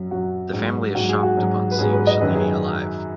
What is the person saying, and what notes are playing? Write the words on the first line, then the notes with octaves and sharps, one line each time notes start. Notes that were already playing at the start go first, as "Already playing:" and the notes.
The family is shocked upon seeing Shalini alive.
Already playing: F#2 F#3
F#2 F#3 F#4
G#2 F#3
G#2 F#3 F#4
G#4
F#4
G#2 F#3
B4
G#2 F#3 G#4
B4
D#5
F#2 D#3 F#3 B4
G#4